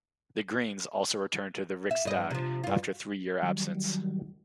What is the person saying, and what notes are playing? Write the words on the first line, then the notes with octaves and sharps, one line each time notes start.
The Greens also returned to the Riksdag after a three-year absence.
E5
G2 D#5
C3 F3
G2 F4
D#3 F#3 G3